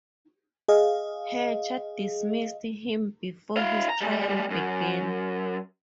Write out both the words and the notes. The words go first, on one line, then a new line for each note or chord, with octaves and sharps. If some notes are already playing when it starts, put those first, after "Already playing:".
Hatcher dismissed him before his trial began.
G#4 D#5 F5
E4 F5
A#5
G3 G#3
F#2